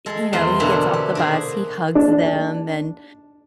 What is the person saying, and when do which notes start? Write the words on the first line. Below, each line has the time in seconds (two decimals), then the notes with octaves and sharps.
y you know, he gets off the bus, he hugs them, and,
0.06 G#3 A4
0.33 E2 A3 C4 C6
0.60 B2 D3 A#3 C4 D4 E4
0.93 G4
1.15 D4 F#4 G#4
1.95 D4